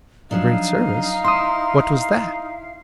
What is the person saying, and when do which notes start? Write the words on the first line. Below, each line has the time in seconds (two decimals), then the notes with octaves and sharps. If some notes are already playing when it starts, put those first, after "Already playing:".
"A great service--what was that?"
0.31 F3 F#3 D4 D#4 F5
1.24 E4 C6 D#6